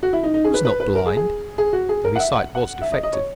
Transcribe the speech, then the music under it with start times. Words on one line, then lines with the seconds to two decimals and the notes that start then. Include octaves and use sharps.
He was not blind, though his sight was defective.
0.03 F#4
0.13 E4
0.23 D#4
0.34 D#4
0.44 G#4
0.54 B4
0.65 B4
0.80 B4
0.95 A#4
1.06 G#4
1.17 G#4
1.58 G#4
1.73 F#4
1.89 G#4
2.05 A#4
2.15 F#5
2.20 E5
2.35 F#5
2.55 F#5
2.81 E5
2.92 D#5
3.03 D#5
3.13 C#5